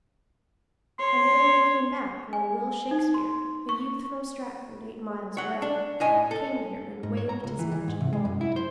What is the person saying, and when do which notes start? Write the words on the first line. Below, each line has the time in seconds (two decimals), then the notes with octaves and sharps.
And again they came back when Will Shakespeare, a youth from Stratford, eight miles away, came here and waved his magic wand.
0.99 C#5 C6
2.33 G#5
2.91 D#4
3.14 C6
3.69 C#6
5.37 C#5 F#5
5.62 D4
6.00 A2 D#5 G#5
6.31 A4
7.03 G#2
7.17 C#5
7.29 A#5
7.44 C#2
7.59 E3
7.72 E3
7.88 G#2
8.01 C3
8.13 G#3
8.25 F#2
8.41 E4
8.56 C5